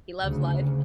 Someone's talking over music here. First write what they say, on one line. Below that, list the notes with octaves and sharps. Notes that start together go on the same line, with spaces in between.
he loves life.
D2 C#3